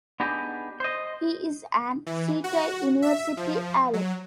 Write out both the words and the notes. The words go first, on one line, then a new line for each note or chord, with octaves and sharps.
He is an Seattle University Alum.
B3 D4 D#4 G4 G#4
C5 D#5
E3
F#4
E5
F3
F#3